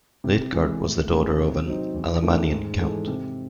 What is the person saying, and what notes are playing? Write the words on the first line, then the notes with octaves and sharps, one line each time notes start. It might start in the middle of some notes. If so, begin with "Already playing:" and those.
Luitgard was the daughter of an Alamannian count.
C3
E3 G#3
A2
E3 A3 C#4 G#4
C3
F#3 C4 D#4
E2
D#3 A3 C#4
G#2
E3 G#3 D#4 A4
C3